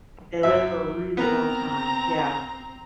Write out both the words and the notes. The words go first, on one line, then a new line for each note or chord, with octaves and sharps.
they live for a really long time, yeah.
F#2 E5
B3 C4 A#4 A#5